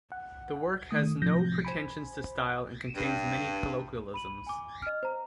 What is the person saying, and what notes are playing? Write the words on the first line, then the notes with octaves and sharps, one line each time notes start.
The work has no pretensions to style, and contains many colloquialisms.
F#5
D#3 A3 D#6
A2 C3 F3 G6 A#6
C5 G#5 B5
G2
B5 D#7 F#7
G#5 D6
D#5 F6
C5 A#5